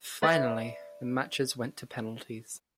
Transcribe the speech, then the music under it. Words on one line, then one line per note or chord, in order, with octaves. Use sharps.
Finally, the matches went to penalties.
B4 D5 E5